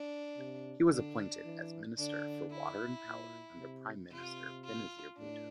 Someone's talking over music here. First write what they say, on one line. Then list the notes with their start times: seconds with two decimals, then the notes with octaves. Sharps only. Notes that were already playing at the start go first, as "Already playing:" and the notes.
He was appointed as Minister for Water and Power under Prime Minister Benazir Bhutto.
Already playing: D4
0.37 C3
0.92 D3 D4
1.45 E3
1.98 D3 D4
2.51 E4
3.04 A#2
3.58 C3
4.11 C3 F4
4.64 F4
5.17 A2 D4